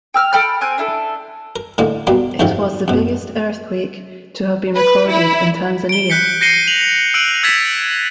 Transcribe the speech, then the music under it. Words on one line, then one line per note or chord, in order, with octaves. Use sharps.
It was the biggest earthquake to have been recorded in Tanzania.
G5 E6 F6
A4 G5 B5 F6
C4 G#5 F#6
D4 E4 A4
A#4
A2 D3 G#3 A#3
B2 F#3 G3 A#3
F2 G#2 C3 D#3 F3 C#4
F#2 B2
B4
E4
D7 G7
F#6 G6 B6 C#7
G6 A#6 C7 C#7 D#7 G7
F7 F#7
E6 F#6 D7 D#7 F#7
E6 G#6 A6 B6 E7